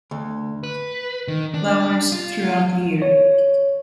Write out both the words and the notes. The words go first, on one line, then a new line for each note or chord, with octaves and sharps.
Flowers throughout the year.
D2
B4
D#3
D4
F4
C#5